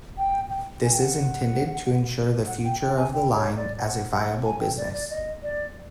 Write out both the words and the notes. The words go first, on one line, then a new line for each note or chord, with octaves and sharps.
This is intended to ensure the future of the line as a viable business.
G5
G5
G#5
G5
F#5
F#5
G5
G5
G#5
G5
C#5
D5
F#5
F#5
G#5
G5
D5
D5
D#5
D5